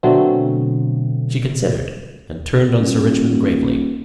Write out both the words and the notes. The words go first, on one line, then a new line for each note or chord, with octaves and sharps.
She considered and turned on Sir Richmond gravely.
B2 D3 F#3 A3 C4
D#1